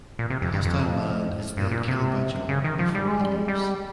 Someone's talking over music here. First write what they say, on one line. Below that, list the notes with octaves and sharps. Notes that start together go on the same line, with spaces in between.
The hostile man is then killed by John before he leaves.
A#2
C3
F2
G2
F2
G2
A#2
C3
C#3
D#3
F3
G3
G#3
G3
G#3
G3